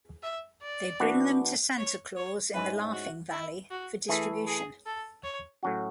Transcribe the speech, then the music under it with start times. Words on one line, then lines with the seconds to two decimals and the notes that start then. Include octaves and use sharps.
They bring them to Santa Claus in the Laughing Valley for distribution.
0.23 E5
0.62 D5
1.00 E3 B3 D4 F#4
1.78 C#5
2.16 C#5
2.54 G#2 G#3 C#4 E4 B4
2.93 F#4
3.31 E4
3.71 F#4
4.09 E3 A3 E4 G#4
4.47 G#4
4.86 A4
5.24 C#5
5.63 A2 F#3 C#4 F#4